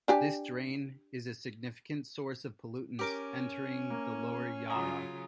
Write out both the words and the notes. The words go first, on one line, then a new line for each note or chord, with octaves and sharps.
This drain is a significant source of pollutants entering the lower Yarra.
D4 G4 G#5
C#4 G4 A#4 D6
A#3
C#3 F#3 F4 G#5 A#5 D#6